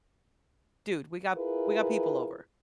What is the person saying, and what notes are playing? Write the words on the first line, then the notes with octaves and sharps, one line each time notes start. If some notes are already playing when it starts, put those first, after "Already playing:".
"Dude, we got we got people over,
E4 F4 G#4 A#4 B4